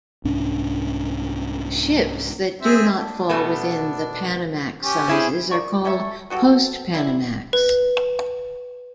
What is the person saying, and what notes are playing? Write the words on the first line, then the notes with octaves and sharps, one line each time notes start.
Ships that do not fall within the Panamax-sizes are called "post-Panamax".
C2 G#2 C#4 D4
C4 G#4 E5
D4
B2 A3 B3
C#4 G4
C4 E4 G#4
A#4 D5 C#6
A3 C#4 C#5 E5
B3 F#4 G4 A4
F#3 G3 C4 E4
B4